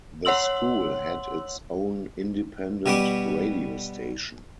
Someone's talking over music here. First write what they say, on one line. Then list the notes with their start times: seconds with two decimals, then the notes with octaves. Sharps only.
The school had its own independent radio station.
0.25 C#5 F#5 C6 E6 F#7
2.86 B2 G3 B3 F#5 D6